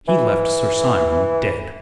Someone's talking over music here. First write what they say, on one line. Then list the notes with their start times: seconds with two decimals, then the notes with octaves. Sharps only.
He left Sir Simon dead.
0.08 E3